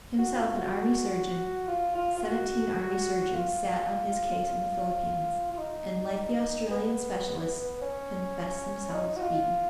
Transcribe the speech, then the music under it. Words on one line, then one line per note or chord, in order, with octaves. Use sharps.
Himself an Army surgeon, seventeen Army surgeons sat on his case in the Philippines, and, like the Australian specialists, confessed themselves beaten.
F#4
F4
F#4
F4
F4
F4
F#4
F4
F4
F4
D#4
B3
C#4
D#4
F#4
F4